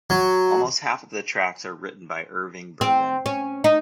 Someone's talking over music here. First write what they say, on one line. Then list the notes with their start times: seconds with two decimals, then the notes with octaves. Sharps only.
Almost half of the tracks are written by Irving Berlin.
0.10 F#3
2.81 C4
3.26 C#4
3.64 D#4